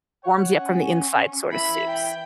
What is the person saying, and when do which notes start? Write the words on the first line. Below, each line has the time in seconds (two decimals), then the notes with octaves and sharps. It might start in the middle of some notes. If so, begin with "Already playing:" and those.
warms you up from the inside sort of soups.
0.25 C#5 F#5
0.60 C#4
1.53 E3 E4 B5
1.90 G5